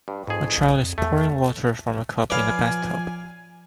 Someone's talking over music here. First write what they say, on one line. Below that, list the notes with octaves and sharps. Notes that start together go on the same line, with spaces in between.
A child is pouring water from a cup in the bathtub.
G2
F2 G#2 G#4
B1
F2
E2 A3
F3 B4 C#5 D5 F5 G#5 B5